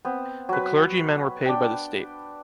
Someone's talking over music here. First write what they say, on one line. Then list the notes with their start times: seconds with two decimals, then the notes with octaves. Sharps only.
The clergymen were paid by the state.
0.05 B3 C4
0.49 F#3 B4
1.46 D4 G5